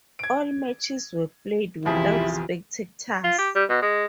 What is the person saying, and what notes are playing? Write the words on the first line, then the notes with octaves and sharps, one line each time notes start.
All matches were played without spectators.
G#6 D7
F#1 B1 F2 E3 E4 F4 G4 G#4
F4
G4
G3
B2
G#3